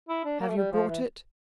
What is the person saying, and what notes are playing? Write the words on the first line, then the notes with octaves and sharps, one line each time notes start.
"Have you brought it?"
E4
D4
A#3
A3
G3
F3
E3